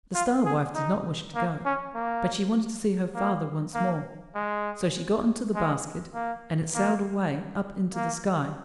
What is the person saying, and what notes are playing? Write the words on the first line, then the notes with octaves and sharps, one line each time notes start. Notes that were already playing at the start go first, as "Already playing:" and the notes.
The Star-wife did not wish to go, but she wanted to see her father once more, so she got into the basket and it sailed away up into the sky.
F4
G#4
D#4
A#3
C#4
A#3
A#3
A#3
G#3
G#3
A#3
A#3
A#3